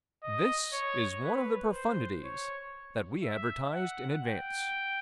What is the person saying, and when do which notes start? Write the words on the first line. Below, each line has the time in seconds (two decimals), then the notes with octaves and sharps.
This is one of the profundities that we advertised in advance.
0.23 D#5
0.73 C#5
1.23 B4
1.73 C5
2.24 C#5
3.24 E5
3.74 F#5
4.25 G5